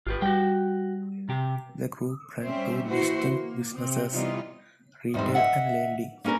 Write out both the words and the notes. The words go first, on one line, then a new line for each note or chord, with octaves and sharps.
The group ran two distinct businesses: retail and lending.
G#1 F4 G4 B4
G3 F#4 G5
C3 G4
G3 C4 C#4 C5 E5
E3 A#3 E4 F#4 C5
A#3
C3 C4
C3 E3 G3 B3 D#4 F4
E2 G#2 G3 C4
D#5 E5 F#5
A#3 C#4 D4 A#4 B4